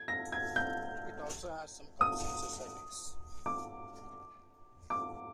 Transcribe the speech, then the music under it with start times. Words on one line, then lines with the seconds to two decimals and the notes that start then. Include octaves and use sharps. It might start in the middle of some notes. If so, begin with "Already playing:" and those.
It also has some clubs and societies.
Already playing: G#6
0.08 A#6
0.32 G#6
0.56 G6
2.01 D#6
3.46 D6
4.90 D6